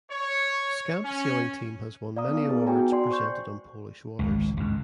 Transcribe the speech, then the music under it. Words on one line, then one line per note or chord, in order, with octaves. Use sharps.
Scamp Sailing Team has won many awards presented on Polish waters.
C#5
C#4
D5 F5 A#5 D#6
B3 D#4
B3 G#4 B4
F#4 G5 G#5 A#5
D5 C6
C5 C#6 G6
G#1 C#2
C#2 G2